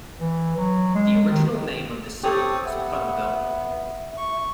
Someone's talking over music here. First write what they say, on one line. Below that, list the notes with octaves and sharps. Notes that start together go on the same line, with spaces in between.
The original name of the city was Puddleville.
E3
F#3
G#3
D#3
C4 G4 A4 C#5 D#6
B3 E5
C#6